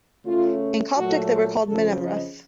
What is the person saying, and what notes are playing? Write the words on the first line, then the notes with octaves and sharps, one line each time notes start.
In Coptic, they were called "Minamref".
C#3 A3 C#4 F4
A#2 F#3 A3 F#4
F2 C#3 F3 A4
D#5